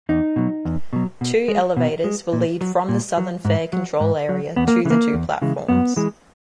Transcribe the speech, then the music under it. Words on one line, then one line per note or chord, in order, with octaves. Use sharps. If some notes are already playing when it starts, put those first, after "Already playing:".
Two elevators will lead from the southern fare control area to the two platforms.
E2 D#4
B2 F#3
E2
B2 F#3
B2
G#3
B2
G#3
A#2
F#3
A#2
F#3
G#2
F#3
G#2
F#3
E2 B3
A#3
C#3 E3 G#3
A#3
E2
C#3 E3 G#3
F#2 B3
E3 G#3